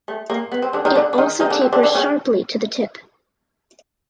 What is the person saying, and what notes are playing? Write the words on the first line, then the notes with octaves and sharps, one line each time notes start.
It also tapers sharply to the tip.
A3
A#3
B3
C4
D3 D4
D#3 D#4
D3 D4
D4
D#3 D#4
D#3 D#4
D3 D4
C4
D3 D4
D3 D4
C#3 C#4